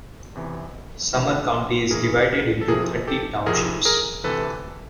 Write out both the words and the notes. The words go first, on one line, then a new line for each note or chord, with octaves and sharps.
Sumner County is divided into thirty townships.
E2 C3 E3
G2 E3
G2 E3 G#4 A#4
A4
F2 C3 F3 G#4 A#4
G4 A4
F2 C3 F3 G#4 A#4
G#4 A#4
D2 C3 E3 A4 B4